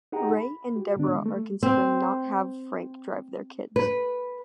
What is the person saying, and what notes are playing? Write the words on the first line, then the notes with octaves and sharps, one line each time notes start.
Ray and Debra are considering not have Frank drive their kids.
D#4 G4 G#4 F#5 G5 A#5
B5
F#4 G4
A2 D3 D#3 B3 D4
D#3 G#3
A3
C4
B4